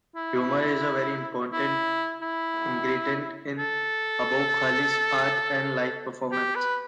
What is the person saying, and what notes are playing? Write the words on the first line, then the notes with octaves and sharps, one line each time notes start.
Humor is a very important ingredient in Abou-Khalil's art and live performances.
E4
E4
E4
A4
G4
B4